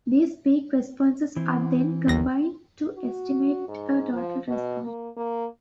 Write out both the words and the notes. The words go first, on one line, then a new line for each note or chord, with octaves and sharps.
These peak responses are then combined to estimate a total response.
E3 C4
G1 D#2 A#6
F#4
G#2
F3
B2
A#3
A#3